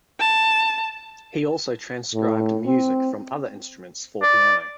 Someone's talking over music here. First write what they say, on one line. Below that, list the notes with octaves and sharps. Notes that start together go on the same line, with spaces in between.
He also transcribed music from other instruments for piano.
A5
A2
C4
D5